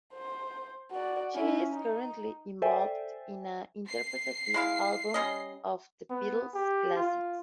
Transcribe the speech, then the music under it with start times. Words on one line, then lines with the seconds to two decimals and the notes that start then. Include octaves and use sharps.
She is currently involved in an interpretative album of the Beatles' classics.
0.14 C5
0.91 F#4 D5
1.34 C#4 E4
1.73 D#4
2.62 A4 C5 D5 E5 G5 G#5
3.88 C7
4.54 G#3 E4 F5
5.14 G3 C#4 D#5
6.10 B3
6.55 G4
6.95 F4